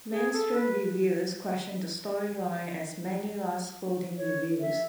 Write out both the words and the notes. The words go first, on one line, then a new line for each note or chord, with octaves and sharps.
Mainstream reviews questioned the story line as many last scolding reviews.
G#4
A4
B4
C#5
E5